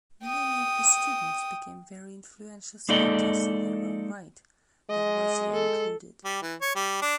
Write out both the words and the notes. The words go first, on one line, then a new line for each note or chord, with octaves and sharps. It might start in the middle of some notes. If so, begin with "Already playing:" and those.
Many of his students became very influential scientists in their own right, Lavoisier included.
G5 D#6
G#3 A#3 D#4 A4 D5 D#5
G#3 D#5
A4
G3
E3
C#5
G3
D4